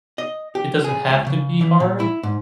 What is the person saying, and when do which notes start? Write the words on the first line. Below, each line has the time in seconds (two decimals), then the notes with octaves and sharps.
It doesn't have to be hard
0.18 D#5
0.55 G4
0.84 G#4
1.10 C#2
1.27 C#3
1.61 E3
1.80 A#2
2.00 E4
2.23 G#2